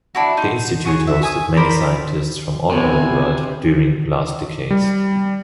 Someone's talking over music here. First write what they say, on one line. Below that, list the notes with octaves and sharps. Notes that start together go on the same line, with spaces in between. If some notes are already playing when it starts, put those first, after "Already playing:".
The institute hosted many scientists from all over the world during last decades.
D4 E4 F#4
D#4 C6
F#4 G#4 C#5
E5
G#5 D#6
A#4 C5 D5 B5
C3 B3 B4 G#5
G3